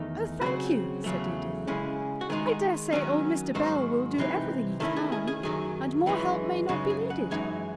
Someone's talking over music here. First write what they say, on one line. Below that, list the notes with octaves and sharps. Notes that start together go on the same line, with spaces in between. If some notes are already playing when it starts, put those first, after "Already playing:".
'Oh, thank you,' said Edith, 'I dare say old Mr. Bell will do everything he can, and more help may not be needed.
Already playing: E2 D#3 A3 D#4
C#3 F#3 C4 F#4
E2 C#3 F#3 A3
C#3 G#3 C#4 E4
F#4
D#3 G#3 D#4 G#4
D#3 F#3 C#4
G#2 D#3 F#3 C5
C3 E3 C4 D#4
D#3 A3 C#4 E4 A4
G#4
G#4
G#4
F#2 D#3 F#3 G#4
F#2 E3 G#3 C#4
F#2 C#3 G#3 D#4 F#4
G#4
F#5
F#2 E3 G#3 D#4 G#5